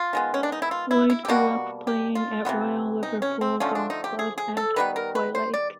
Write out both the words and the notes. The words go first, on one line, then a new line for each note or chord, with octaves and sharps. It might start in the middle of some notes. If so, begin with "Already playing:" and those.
Lloyd grew up playing at Royal Liverpool Golf Club at Hoylake.
Already playing: F4
D#3 G#3 B3
C#4
D4
D#4
E4
F4
E4
E4
G4
B2 G3 A#3 F#4
G4
F4
C3 E3 G3 B3
D#4
C#4
C4
D3 F3 A3 C#4
D4
D#4
G4
G#4
G#4
A4
D#3 G3 B3 B4
A#4
B4
C5
D5